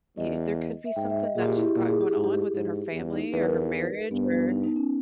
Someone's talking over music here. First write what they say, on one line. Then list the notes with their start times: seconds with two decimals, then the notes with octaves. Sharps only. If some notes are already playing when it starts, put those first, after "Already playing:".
Y there could be something that she's got going on within her family, or her marriage, or
0.17 E2 D#5
0.85 E5
0.96 G#2 G5
1.10 E5
1.23 D#5
1.36 A#2 G#4
1.45 G4
1.55 E4
1.65 G4
1.76 A#2
1.88 G#4
2.01 G4
2.12 G#2 G#4
2.24 G4
2.54 G#2
2.93 E2
3.13 D#4
3.32 E2 B4
3.46 A#4
3.58 G4
4.11 G2 B3
4.31 B3
4.50 D#4
4.64 D#4
4.76 C#4